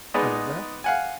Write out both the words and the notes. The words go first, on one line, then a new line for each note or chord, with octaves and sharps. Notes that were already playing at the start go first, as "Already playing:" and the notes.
"I know that."
G#3 B3 D#4 B4 D5
F5 F#5 G#5